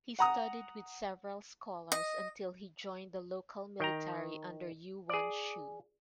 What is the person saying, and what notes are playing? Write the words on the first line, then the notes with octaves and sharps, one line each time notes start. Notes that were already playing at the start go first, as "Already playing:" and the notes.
He studied with several scholars until he joined the local military under Yuan Shu.
F#5 A#5 D#6
D#5
D#3 G5 A#5
G#4 D5